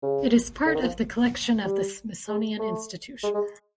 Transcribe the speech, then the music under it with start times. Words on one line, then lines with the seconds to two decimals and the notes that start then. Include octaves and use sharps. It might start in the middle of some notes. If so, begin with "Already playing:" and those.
It is part of the collection of the Smithsonian Institution.
0.02 C#3
0.66 D3
0.74 D#3
0.82 F3
1.63 G3
2.28 G#3
2.59 A3
3.23 G#3
3.34 G#3